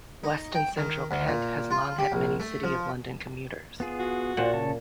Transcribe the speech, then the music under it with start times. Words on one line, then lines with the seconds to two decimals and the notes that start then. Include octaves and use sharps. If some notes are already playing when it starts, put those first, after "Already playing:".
West and Central Kent has long had many City of London commuters.
0.24 D#4
0.55 G5
0.77 D#3
1.11 D2
1.28 A#2
1.71 F4
1.98 G4
2.12 A#1
2.40 A3
2.64 F3
3.80 B3 F4 G#4
3.99 F#4
4.37 A#2 F4 C5 F#5
4.53 C#3 C#5 A5